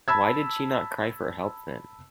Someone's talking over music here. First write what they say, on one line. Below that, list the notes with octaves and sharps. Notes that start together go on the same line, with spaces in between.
Why did she not cry for help then?
A5 B5 E6 G#6